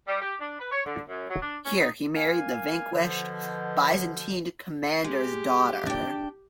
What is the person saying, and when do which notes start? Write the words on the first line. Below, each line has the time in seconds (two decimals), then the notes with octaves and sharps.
Here he married the vanquished Byzantine commander's daughter.
0.07 G3
0.22 G4
0.41 D4
0.59 B4
0.72 C#5
0.85 D3
1.09 F#2
1.29 F#3
1.42 D4
1.65 C#4
1.80 D#4
2.15 A#3 F5 G#5
2.93 B2 D3 F3
5.04 G#3 G4
5.86 D4 G5